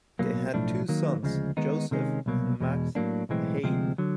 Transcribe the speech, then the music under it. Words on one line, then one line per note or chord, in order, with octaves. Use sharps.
They had two sons Joseph and Max Heine.
B1 B2 F#3 A#3
B1 A2 F3 A3 D4
D#3 F#3 A#3
D2 C#3 F3 G#3
D#3 G#3 B3 D#4
C3 D#3 G#3 C#4
C2 B2 F#3 A#3
E2 B2 G#3
A2 F#3 A#3 D4
B1 A2 E3 G#3 C4
D2 C3 F3 G#3 C4
D3 F#3